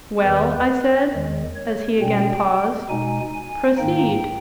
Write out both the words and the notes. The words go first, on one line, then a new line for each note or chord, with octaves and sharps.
"Well?" I said, as he again paused--"proceed."
E2 D#3 G3 B4
E2 D#3 G#3
C#5
B2 G3 C#4 G5
B2 G#3 D#4 G#5
G#5
G#2 D#3 A#3 D#4 G5